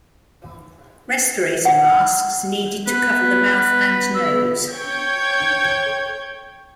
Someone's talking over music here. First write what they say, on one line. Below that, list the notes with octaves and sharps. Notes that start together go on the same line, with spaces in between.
Respirator masks needed to cover the mouth and nose.
F#5
B3 B4
C#5 G5 G6 G#6